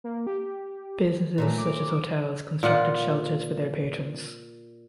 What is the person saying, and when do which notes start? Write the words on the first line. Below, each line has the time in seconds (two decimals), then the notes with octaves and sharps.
Businesses such as hotels constructed shelters for their patrons.
0.04 A#3
0.27 G4
1.38 A#2 F#3 A3 D4
1.58 D6
2.63 A#2 F4 F#5